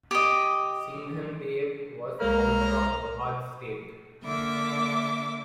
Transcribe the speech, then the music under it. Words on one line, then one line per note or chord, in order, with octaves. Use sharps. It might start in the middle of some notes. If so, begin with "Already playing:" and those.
Singhandev was the founder of Gohad state.
G4 D#5
C2 G#3 A#3 A#5 F6
D3 A#3 E5 D6